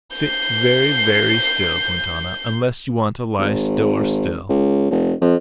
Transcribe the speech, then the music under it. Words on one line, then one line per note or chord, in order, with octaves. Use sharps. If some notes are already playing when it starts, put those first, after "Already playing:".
Sit very, very still, Quintana,--unless you want to lie stiller still....
G6 C7
G#1
C#2
F1
F2